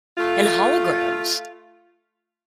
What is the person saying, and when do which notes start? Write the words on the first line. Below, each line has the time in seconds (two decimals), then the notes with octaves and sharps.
And holograms.
0.17 A3 F4